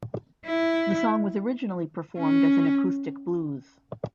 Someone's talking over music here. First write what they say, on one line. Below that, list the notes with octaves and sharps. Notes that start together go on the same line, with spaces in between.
The song was originally performed as an acoustic blues.
E4
C#4